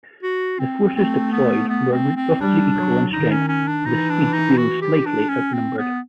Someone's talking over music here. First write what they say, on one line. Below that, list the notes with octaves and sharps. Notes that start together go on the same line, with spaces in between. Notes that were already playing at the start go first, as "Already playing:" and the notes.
The forces deployed were roughly equal in strength with the Swedes being slightly outnumbered.
F#4
C4
A3 C4
B3
B3
C4
C4
G3 D4
F#3
D#3 D#4
C#4
C#4
D4
E3 D#4
D4
D#4
F#4
G4
D4
C#4
C4
B3